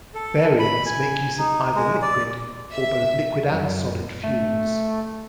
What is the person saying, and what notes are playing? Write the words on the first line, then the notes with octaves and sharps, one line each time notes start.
Variants make use of either liquid or both liquid and solid fuels.
A4
B5
G#5
D#4
G#3
D5
E5
F#2
A3